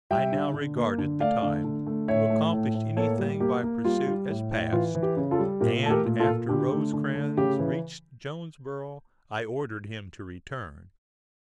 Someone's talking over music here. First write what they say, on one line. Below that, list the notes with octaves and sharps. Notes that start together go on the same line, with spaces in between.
I now regarded the time to accomplish anything by pursuit as past and, after Rosecrans reached Jonesboro, I ordered him to return.
G3 E5 G5
D3
D3
A#3
D3
A3 D5 F5
D3
D3
A3
A2 C#5 E5
A3
A2
A2
A#3 A4 C#5
G3
A#3 G4
A#3
G3 F4
G3
A2
A2
E3 F4
E3
G4
C#3
F4 A4
G3
A#2 G4 A#4
A3 A4
G4 A#4
A#2
F4 A4
A#2
D3 G4
A3
D3
A3
C#3 G4
E3